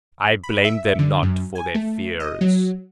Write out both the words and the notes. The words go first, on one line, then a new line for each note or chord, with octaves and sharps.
I blamed them not for their fears.
B5
E5
D3
F#2
G#5
A3
D#5
F#3